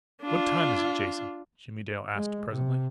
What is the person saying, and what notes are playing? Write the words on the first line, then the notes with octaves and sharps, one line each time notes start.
"What time is it, Jason?" Jimmie Dale asked presently.
D4 F4
G#3
C3